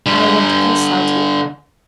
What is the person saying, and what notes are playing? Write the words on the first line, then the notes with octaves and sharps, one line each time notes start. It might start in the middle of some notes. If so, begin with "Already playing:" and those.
"I want to consult him?"
D3 G3